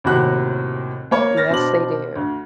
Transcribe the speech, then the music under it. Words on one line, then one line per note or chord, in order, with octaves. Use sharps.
Yes, they do.
D#2 A2 C3 F#4 F#6
A#3 C#5
F6 A6 A#6
B2 C4 D4 F#7
D2